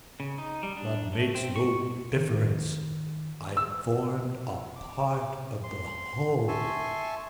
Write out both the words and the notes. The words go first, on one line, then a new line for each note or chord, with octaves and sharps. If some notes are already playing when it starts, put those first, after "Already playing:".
"That makes no difference; I formed a part of the whole."
C#3
D#4
G3
D4
A3
C4
C#6
D#3
E6
D6
C6
E5 G#5 A5 C6 C#6